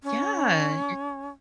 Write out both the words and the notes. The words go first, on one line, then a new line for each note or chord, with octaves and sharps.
Yeah, you're
C#4